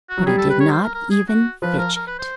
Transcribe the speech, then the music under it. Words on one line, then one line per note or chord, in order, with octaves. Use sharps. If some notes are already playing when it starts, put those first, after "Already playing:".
But he did not even fidget.
F#4
F#3
G3 G#4
A4
B4
C#5
C5
A#4
A#4
G#4
F#4
F3 B4
A#4
A#4
B4
C5